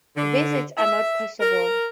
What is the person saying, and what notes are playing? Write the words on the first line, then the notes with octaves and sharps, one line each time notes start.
Visits are not possible.
D3
E5
A#4